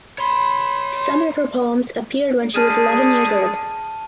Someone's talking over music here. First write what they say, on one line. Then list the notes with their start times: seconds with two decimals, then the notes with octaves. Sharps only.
Some of her poems appeared when she was eleven years old.
0.18 C#5 B5 C6
2.55 D3 G#4 A5 F6 D#7